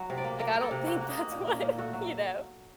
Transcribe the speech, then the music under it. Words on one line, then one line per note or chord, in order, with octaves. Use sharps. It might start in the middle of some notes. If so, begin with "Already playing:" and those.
Like, I don't think that's what you know?
Already playing: F#3
C3
D5
A#3
A#3 A#4
A#3
A4
C3
A#3 F#4
A#3
D#4
A#3
A#2
A#3
A#2
A3 F#4
F#3